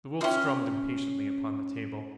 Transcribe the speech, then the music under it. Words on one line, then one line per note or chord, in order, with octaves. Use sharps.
The Wolf strummed impatiently upon the table.
C4 C#4 F4 E5 G5